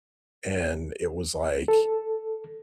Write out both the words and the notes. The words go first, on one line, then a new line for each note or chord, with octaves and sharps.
and it was like
A4